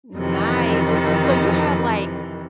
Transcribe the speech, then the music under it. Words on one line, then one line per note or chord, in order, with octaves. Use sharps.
Nice. So you have, like,
F2 C3 D#3 E3